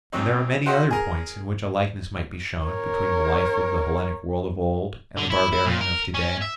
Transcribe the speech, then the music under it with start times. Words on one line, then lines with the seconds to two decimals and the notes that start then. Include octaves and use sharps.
And there are many other points in which a likeness might be shown between the life of the Hellenic world of old and the barbarian of to-day.
0.12 G#2 F#3 C4 D#4
0.66 F#4 C5 D#5 E5 F#5
0.91 G#4 A#4
2.65 A#4 C#5
5.17 D3
5.30 E4
5.52 E4
5.66 A#2
5.81 A#4
6.14 C#4
6.41 E5